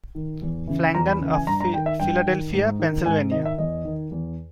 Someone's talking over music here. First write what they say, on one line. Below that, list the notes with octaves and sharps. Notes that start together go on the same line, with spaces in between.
Flanagan of Philadelphia, Pennsylvania.
D#3
E2
C#3 E3
E2 A#5
B5
C#3 E3
G#5
G2 A#5
A#5
D#3 G5
E5
G2 G5
D#3
G#2
D#3
G#2 G#5
D#3 D#5
E5
E2 D#5
D#3
E2